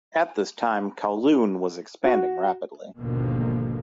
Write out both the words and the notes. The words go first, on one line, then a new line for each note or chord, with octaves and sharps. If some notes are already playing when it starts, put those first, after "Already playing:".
At this time Kowloon was expanding rapidly.
F#4
G#1 D#2 B2 D3 F3 A#3